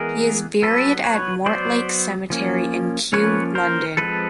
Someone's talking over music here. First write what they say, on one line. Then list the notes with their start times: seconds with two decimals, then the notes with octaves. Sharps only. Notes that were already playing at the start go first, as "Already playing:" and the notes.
He is buried at Mortlake Cemetery in Kew, London.
Already playing: E3 G#3 B3 G#4 A#4
0.62 F#3 B3 A4 B4
1.04 B4 C#5
1.46 F#3 B3 C5 D5
2.30 F3 A#3 C#4
3.13 F3 A#3 C#4 B4 C#5
3.55 A#4 C5
3.97 F3 G#3 C4 A4 B4